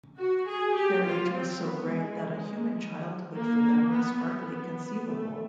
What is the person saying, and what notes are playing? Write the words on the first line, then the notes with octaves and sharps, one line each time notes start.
Their age was so great that a human childhood for them was hardly conceivable.
F#4
G#4
G4
F4
C4
B3
G#3
A#3
B3
B3
A3